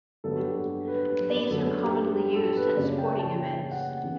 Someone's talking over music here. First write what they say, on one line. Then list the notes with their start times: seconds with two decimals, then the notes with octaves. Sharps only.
These are commonly used at sporting events.
0.24 G2 D3 F#3 B3 A4
0.35 F#4
0.40 G4
0.56 A4
0.88 B4
1.08 B4
1.30 D5
1.51 F#2 D3 F#3 B3 A4
1.82 G4
2.14 G4
2.35 A4
2.56 B4
2.77 F#2 C#3 F#3 D5
2.98 G5
3.19 A5
3.40 G5
3.72 F#5
4.03 C#3 E3 B3